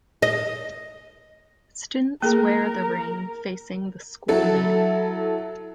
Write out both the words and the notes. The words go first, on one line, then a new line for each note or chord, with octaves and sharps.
Students wear the ring facing the school name.
D#5
A#3 G#4 A#4
F#3 E4 A4